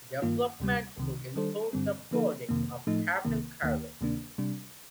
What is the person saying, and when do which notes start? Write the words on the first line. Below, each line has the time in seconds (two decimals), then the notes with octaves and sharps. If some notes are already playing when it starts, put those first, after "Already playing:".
The development would include the flooding of Capel Celyn.
0.22 G2 D#3 A#3 F4
0.60 D2 C3 G3
0.98 C2 C3 D#3
1.36 D#3 G3 D4 A4 C5
1.73 G2 D3 G3 C4
2.11 D3 F3 A#3 D#4 A4
2.49 F2 C3 D#3 A#3
2.87 A2 F3 A3 D#4
3.25 C2 C3 D#3 A#3
3.62 D#2 D#3 A#3
4.01 D2 C3 D#3 A#3 D4
4.38 C3 G3 D4